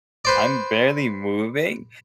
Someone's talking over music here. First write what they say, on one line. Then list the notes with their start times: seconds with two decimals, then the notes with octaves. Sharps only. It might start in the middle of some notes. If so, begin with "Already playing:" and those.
I'm barely moving,
0.25 B4 C5 D5